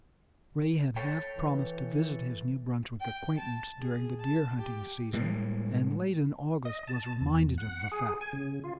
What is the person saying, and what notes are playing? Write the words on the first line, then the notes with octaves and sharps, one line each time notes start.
Ray had half-promised to visit his New Brunswick acquaintance during the deer-hunting season, and late in August was reminded of the fact.
A4 C#5 G5
E3
G5
A5
G#4
A5
G4
A2 G3 G#3 A#3
D#5
A5
E2
F#5
G#4
G#5
C#3
F4